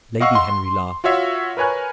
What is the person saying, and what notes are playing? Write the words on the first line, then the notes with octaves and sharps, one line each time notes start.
Lady Henry laughed.
D#5 F5 F#5 C#6 E6 C7
C6
F4 F#4 C#5 E5 F5
A#4 B4 C#5 G#5 F#6